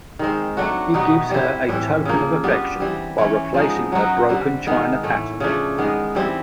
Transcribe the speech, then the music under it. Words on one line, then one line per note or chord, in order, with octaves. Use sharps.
He gives her a token of affection by replacing her broken china pattern.
D#3 G#3 C4
F#3 A3 D4 F#4
B2 G3 B3 D#4
G3 C4 E4
A2 E3 G3 C4
C#3 F3 A#3
G3 B3 D4 F4
E3 G3 C4
E3 A3 C#4
F3 G#3 B3 D#4
F#3 B3 D#4 F#4
D3 G3 C4
D#3 G#3 B3
A2 E3 A3
C#3 F3 A3 D4
D#3 G#3 B3
E3 G3 C4 E4